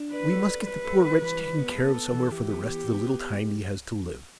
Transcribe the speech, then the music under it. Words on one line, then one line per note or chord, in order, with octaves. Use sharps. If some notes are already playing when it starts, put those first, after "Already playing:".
We must get the poor wretch taken care of somewhere for the rest of the little time he has to live.
Already playing: D4
B4 D5
A4
D5
G3 B4
A4
G3
E3
G3
B3
B3 A4
B3
E3
E3 G4
B3
E3
B3
B3